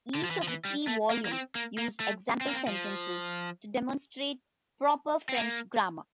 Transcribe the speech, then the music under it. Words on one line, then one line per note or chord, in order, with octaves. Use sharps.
Each of the three volumes use example sentences to demonstrate proper French grammar.
D3
F3
E3
F3
E3
G3
A3
A#3
A#3
C4
A#3
A#3
A3
C4
A#3
C4
F3
C4
A#3